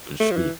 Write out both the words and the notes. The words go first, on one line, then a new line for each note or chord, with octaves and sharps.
For sure.
A3
F3
E3